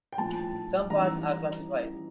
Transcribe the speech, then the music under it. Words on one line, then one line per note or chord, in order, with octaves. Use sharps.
Some parts are classified.
G5
A#1 A2 F3 A5
A1 G2 D#3 A#5